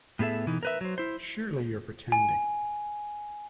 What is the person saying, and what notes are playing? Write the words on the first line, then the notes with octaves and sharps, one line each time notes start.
Surely you’re pretending.
A2 B3 G#4 A4 E5
B2 E3 D#4
A#4 B4 E5
F#3 C5
E4 C5
G#5